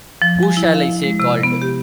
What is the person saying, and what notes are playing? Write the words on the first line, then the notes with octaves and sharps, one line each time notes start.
Who shall I say called?
F3
G#5
E4
F5
G#3
C3
B3
G4